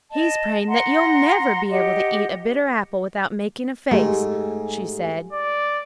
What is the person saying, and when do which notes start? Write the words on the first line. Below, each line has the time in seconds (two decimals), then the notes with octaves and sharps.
"He's praying that you'll never be able to eat a bitter apple without making a face," she said.
0.11 D#5 A5
0.68 F#5 A#5 C6
1.70 G4 D#5 F#5
3.91 G#2 A3 G4 G#5
5.33 D5